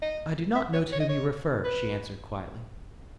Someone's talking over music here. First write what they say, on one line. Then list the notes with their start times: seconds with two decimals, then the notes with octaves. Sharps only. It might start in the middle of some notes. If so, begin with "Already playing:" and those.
"I do not know to whom you refer," she answered quietly.
0.02 D#5
0.55 E5
0.73 C#5
0.92 C#5
1.00 D#5
1.09 C#5
1.64 B4